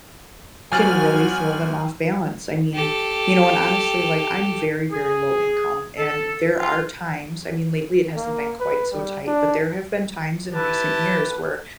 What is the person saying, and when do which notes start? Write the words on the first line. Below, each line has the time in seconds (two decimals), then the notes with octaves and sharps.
can really throw them off balance. I mean you know, and honestly, like, I'm very, very low income, and there are times- I mean, lately, it hasn't been quite so tight- but there have been times in recent years where
0.72 G1 F3 F#3 F#4 G#5 F6 A6 F#7
2.74 G4 A4
4.91 G#4
5.98 A4
6.58 F4
8.17 A#3
8.60 B4
8.92 G3
9.27 D4
10.53 E4 G4 B4 A5